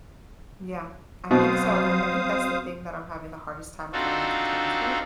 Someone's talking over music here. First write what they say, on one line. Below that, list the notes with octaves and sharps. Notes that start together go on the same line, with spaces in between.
Yeah, I think so and that I think that's the thing that I'm having the hardest time coming to terms with,
B2 F#3 C4 C5 F5 D#6
C4 D4 D#4 F4 F#4 A4